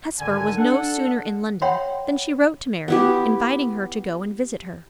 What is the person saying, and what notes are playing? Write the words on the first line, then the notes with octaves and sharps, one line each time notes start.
Hesper was no sooner in London, than she wrote to Mary, inviting her to go and visit her.
G#1 D3 G#5
D4 A4 F#5
C#5 E5 F#5 G5 B5 C6
B3 E4 G4